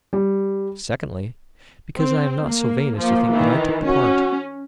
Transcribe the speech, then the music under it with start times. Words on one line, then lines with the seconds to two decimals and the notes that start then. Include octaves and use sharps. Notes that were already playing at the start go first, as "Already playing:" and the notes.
Secondly, because I am not so vain as to think that I look the part.
0.13 G3
1.97 C4
2.46 A#3
2.97 F3 A#3
3.30 D#3 E3
3.85 C#4 F#4